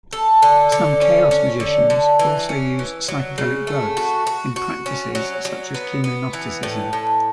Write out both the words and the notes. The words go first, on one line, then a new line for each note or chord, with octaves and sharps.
Some chaos magicians also use psychedelic drugs in practices such as chemognosticism.
A4
D3
D3
C#4
C#4
D3
D3
E3
C#4
E3
F#3
C#3
A3
F#4
F#4
F#4
C#4
F#3
F#3
B3
B3
E3
A2
A2